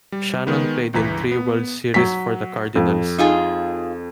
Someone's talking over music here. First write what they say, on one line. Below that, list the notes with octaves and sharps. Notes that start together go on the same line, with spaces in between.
Shannon played in three World Series for the Cardinals.
G3
D#3 G#3 B3 D#4
G1 C#2 E3 A#5 B6
B3
F#3 B6
F2
D#4 F4 G#4